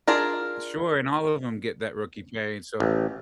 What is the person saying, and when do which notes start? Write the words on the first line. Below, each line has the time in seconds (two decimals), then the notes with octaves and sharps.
Sure, and all of 'em get that rookie pay, and so
0.08 D4 F4 G#4 A#4
2.80 A1